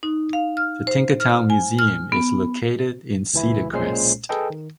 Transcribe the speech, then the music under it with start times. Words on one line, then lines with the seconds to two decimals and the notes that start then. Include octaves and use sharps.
The Tinkertown Museum is located in Cedar Crest.
0.03 D#4
0.33 F5
0.57 F6
0.87 C5
1.20 F6
1.50 G#5
1.79 F6
2.12 B3
3.34 C#2 E3 E4
3.72 B1 A#2 G#3 C#4 C5 C7
4.29 G#4 A4 B4 D#5 G5
4.50 D#3